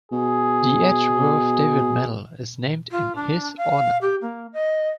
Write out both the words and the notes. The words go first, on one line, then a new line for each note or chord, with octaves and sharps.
The Edgeworth David Medal is named in his honour.
B2 G#4
F4
D4
F5
G4
A#3
D#5